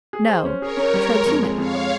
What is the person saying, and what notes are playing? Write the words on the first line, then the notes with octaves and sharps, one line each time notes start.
"No, Troutina."
G#4
C5
C#4
G#4 A#4 C#5
C#4
G3
G#3
F2
G#3
F2 C#5 F5
G#3